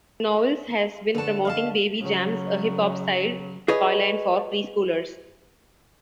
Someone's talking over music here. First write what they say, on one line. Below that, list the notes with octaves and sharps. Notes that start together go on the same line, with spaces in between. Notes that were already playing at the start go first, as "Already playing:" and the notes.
Knowles has been promoting Baby Jamz, a hip hop-styled toy line for pre-schoolers.
D3 B4 C#5 A5
D#5 F5 A5
C#3 F#3
G#4 B4 C#5 D#5